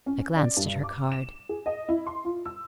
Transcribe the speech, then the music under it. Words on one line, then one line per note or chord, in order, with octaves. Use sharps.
I glanced at her card.
C#4
D5
G2
D6
E7
G#4
D#5
E4
C6
F4
E6